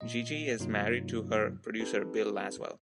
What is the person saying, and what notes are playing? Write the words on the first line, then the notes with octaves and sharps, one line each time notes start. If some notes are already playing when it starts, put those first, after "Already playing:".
Gigi is married to her producer Bill Laswell.
A#2 D#5
G2 C3 F#3 A#3 D#4 F4
C4 D#4 G4 A4 B4